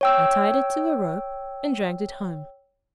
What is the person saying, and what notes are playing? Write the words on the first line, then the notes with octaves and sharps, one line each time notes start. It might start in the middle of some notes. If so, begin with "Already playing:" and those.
'I tied it to a rope, and dragged it home.
C#5 G5 E6